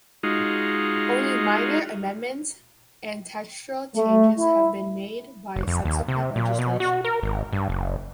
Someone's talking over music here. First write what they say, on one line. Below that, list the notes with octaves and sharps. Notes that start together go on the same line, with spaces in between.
Only minor amendments and textural changes have been made by subsequent legislation.
G#3 D#4 F4 F#4
A3
E4
F#1
F2
D#2
C3
A#2
B2
F#4
A#4
G#1
G2
F#1